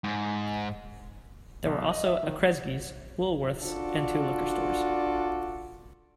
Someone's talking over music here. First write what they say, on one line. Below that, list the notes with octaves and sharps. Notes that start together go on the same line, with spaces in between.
There were also a Kresge's, Woolworth's, and two liquor stores.
G#2
B1
D#5
E5
D#3
D4 F4 F#4 A4 D5